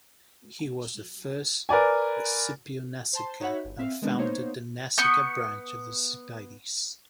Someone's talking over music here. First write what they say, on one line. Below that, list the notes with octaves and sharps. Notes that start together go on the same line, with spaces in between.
He was the first Scipio Nasica and founded the Nasica branch of the Scipiades.
A#4 B4 D5 G#5
C5 A5 C6
D#4 F#4 C#5 E5 F#5 B5
G1
C4 E5 F5
D#3 G#3 B3 C4 D4
A#3 B3 D#4 C5 C#5
B3 C#6 G6